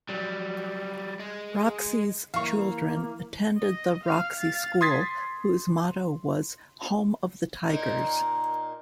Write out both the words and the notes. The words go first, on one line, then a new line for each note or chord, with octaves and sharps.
Roxie's children attended the Roxie School, whose motto was "Home of the Tigers".
F#3 G3
G#3
E3 A#3 F5 C#6
D#5
F5 F6
F5 A6
C6 D#6 G#6 A6 B6 C7
A#2 A#3 D#4